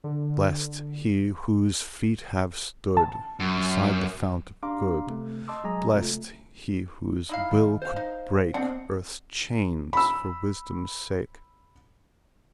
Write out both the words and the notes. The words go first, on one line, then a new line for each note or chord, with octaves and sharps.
Blest he whose feet have stood Beside the fount of good; Blest he whose will could break Earth's chains for wisdom's sake!
D3
A5
F#2
D4 G4 F5 A#5 C6 D6
C3 A3
D#5 A5 C6 D6 E6
F#3 G#3 D#5 G#5 A#5
C3 A3 F4
D#4 E4 F5
D#3
C5 F5
D#4
B2 C4 D4 F#5
B5 E6